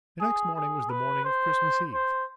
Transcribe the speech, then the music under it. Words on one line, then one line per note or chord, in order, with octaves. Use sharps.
The next morning was the morning of Christmas Eve.
G#4
G#4
B4
C5
C5